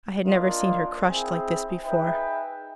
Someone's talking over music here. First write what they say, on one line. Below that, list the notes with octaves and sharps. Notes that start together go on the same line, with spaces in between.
I had never seen her crushed like this before.
A#3 D4 F4 A#4 D#5
C4 E4 G#4
D#4 G#4 B4 E5 G5